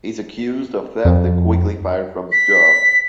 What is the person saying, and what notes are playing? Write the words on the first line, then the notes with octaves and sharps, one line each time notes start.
He's accused of theft and quickly fired from his job.
F2
B6